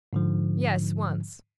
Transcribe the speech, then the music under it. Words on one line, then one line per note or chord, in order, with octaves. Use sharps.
"Yes, once."
G#2 D3 F3